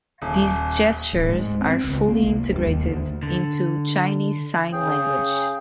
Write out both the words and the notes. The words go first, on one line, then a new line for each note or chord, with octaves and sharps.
These gestures are fully integrated into Chinese Sign Language.
D#1
D1
G#2
C4
C#2
A#3
C2
G2
D#2
D2
D3
C#3 G#4 G5